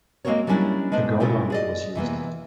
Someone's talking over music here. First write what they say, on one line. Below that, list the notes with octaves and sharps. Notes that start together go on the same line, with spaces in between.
The guard army was used.
G#3 A#3 C4 F#4 A#4 C#5
F#3 G3 A#3 C#4 D4 E4
G#3 B3 D4 C5
C4 C#4 E4 F4 A4 A#4
G#4 D5 D#5
C3 E3 A#3 B3